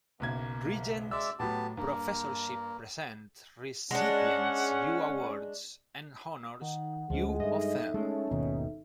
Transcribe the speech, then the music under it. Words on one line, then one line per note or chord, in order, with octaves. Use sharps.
Regents Professorship Present Recipients: U Awards and Honors: U of M.
F#1 B1 A#3 G#6
G#3 D5 E5 E6
A2 F#3 B3 G4 A5
G2 A#3
G#3 C#4 D4 F#5
D#3 F#5
D2 F3 G#3 C#4
G2 D#4 A4 D#5 E5
G#3 A3 C#4
G#1 D#2 B2 D#3